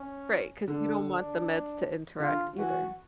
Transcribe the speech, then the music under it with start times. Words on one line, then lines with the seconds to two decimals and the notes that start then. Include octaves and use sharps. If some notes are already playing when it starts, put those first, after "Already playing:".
Right, 'cause you don't want the meds to interact either.
Already playing: C#4
0.68 D3 D4
1.06 D4
2.20 D3 F4
2.58 E3 F#4